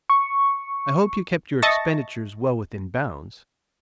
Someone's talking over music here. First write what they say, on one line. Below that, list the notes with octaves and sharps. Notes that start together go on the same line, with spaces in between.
"I hope you kept your expenditures well within bounds?"
C#6
D#5 E5 A5 C#6 A6 A#6